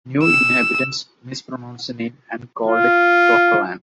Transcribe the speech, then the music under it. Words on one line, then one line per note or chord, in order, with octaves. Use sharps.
New inhabitants mispronounced the name and called it Clocolan.
E6
F4